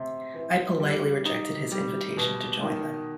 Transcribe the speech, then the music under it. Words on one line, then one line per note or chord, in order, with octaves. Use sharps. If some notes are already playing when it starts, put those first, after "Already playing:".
I politely rejected his invitation to join them.
Already playing: C3
E3
G3
D#4
G3
B2
D#3